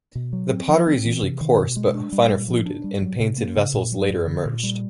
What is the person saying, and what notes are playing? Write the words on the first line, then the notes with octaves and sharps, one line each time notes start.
The pottery is usually coarse but finer fluted and painted vessels later emerged.
B2
F#3
C4
F3
C4
E3
C3
D#3
B2
G#3
D4
G3
A#2
F3
D4
G3
F#3
C3
A#3
C#3
A#2
F#3
F#2
D3
A#2
G3